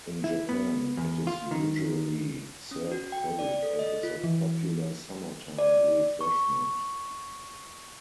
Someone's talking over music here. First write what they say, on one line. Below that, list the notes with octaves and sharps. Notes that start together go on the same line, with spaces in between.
In Japan, it is usually served cold, and is a popular summertime refreshment.
E4
B3
E2
F4
D#3
C#4
F#4
G5
D5
A4
D#5
F4
E3
D5
C#6